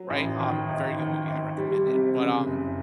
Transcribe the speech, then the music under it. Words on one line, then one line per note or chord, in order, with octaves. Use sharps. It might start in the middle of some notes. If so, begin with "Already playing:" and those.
right? Um, very good movie, I recommend it. But, um,
Already playing: F#3
A1
D#3
G#1
D#3
G#1
G3
C3
C#3
F#1